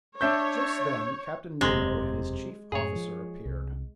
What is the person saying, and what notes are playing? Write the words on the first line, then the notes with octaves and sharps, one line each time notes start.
Just then Captain Nemo and his chief officer appeared.
D4 C#5 E5 G6
E1 F#2 C3 G#3
F#2 A2 G#4 C#5
F3
C2